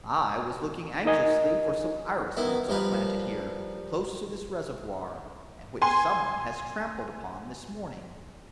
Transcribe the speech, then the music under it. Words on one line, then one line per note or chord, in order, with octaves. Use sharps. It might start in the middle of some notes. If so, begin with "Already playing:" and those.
I was looking anxiously for some iris roots I planted here, close to this reservoir, and which some one has trampled upon this morning.
D#4 A#4 D#5 G#5
D#3 B3 E4
F3 G3 A#4 B4
G#5 C6